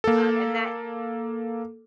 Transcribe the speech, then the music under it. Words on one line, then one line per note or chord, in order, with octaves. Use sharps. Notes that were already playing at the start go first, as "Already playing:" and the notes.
um and that
A#3 A4